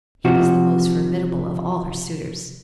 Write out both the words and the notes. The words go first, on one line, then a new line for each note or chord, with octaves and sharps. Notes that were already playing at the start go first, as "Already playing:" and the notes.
He was the most formidable of all her suitors.
C3 F3 F#4